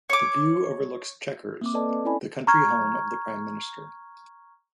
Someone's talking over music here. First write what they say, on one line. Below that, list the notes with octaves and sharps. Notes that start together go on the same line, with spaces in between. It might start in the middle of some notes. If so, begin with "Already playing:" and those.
The view overlooks Chequers, the country home of the Prime Minister.
C#5 D6
A#3 C4 D6
A4 B4 D5 D#5 A5
C4
C#4 E4 A4 D5 G#5 B5
A#5 C#6 F6 G#6